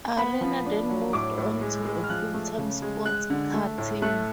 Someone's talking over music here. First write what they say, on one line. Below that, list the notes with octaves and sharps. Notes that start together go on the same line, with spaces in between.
Arena then moved on to a full-time sports car team.
B3 B5
F3
D4
F#3
A2 D6
A2
G#3
G#3
F6
F3 F#6
A3
C#3
G#3
G#3 F#6
D3
A3
A2
A3 F#6